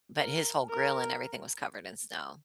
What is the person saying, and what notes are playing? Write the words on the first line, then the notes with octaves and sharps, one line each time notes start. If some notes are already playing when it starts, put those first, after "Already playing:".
But his whole grill and everything was covered in snow.
A#4
A#4